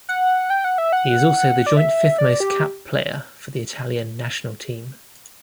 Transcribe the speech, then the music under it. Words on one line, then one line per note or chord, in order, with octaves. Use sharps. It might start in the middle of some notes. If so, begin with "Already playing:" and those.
He is also the joint fifth-most capped player for the Italian national team.
F#5
G5
F#5
E5
F#5
D5
E5
D5
G4